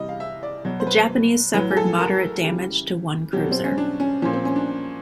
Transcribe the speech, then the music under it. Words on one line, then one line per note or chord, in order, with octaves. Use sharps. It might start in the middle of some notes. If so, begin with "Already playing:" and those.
The Japanese suffered moderate damage to one cruiser.
Already playing: C3 E3 G3 D#5
F5
E5
D5
B2 F#3
C5
B4
A2 F#3 B4
G#4
A4
A#4
C#3 E3 G3 G4
B2 F#3 G4
C4
C#4
D4
C#4
A#2 F3 C#4
C4
C#4
D4